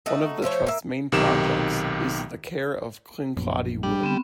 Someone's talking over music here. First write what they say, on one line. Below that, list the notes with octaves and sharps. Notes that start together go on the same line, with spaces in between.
One of the trust's main projects is the care of Kincladie Wood.
A3 D#4 F#4
F3 A3 C5 C#5
A#3 E5
B1 C3 D#3 G4 E7
A#1 F#2 B3
G3 D4
D3 B3 C4